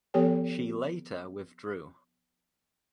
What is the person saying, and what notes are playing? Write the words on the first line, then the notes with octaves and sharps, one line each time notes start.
She later withdrew.
F3 B3 G4 A4 C#5 G5